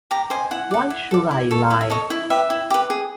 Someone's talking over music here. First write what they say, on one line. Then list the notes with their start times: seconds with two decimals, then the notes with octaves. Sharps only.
Why should I lie?
0.11 G4 A#5
0.30 C5 D#5 G#5
0.51 E4 F#5
0.71 A4 D5
0.90 E4
1.11 A4 D5
1.31 E4
1.51 A4 C#5
1.70 E4 F5
1.81 E5
1.90 A4 C#5 D#5
2.10 E4 E5
2.30 G4 B4 E5
2.50 E4
2.70 G4 B4
2.90 G#4